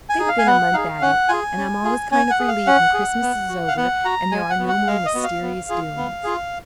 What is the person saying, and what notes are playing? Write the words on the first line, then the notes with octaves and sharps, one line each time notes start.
They've been a month at it, and I'm always kind of relieved when Christmas is over and there are no more mysterious doings.
G#5
D#4 G#4
F5
G#5
B3 F#5
D#4 G#4 F5
C#4 F#5
F4 G#4 G#5
C#4
F4 G#4
C#4 G#5
F#5
G#4
F5
C#4 F#5
G#4
B3
F#4
F5
B3 F#5
F#4 A#5
G#3 G#5
F#5
B3 F#4
F#5
G#3 F5
D#5
B3 F#4
F5
B3
F4 G#4
B3
F4 G#4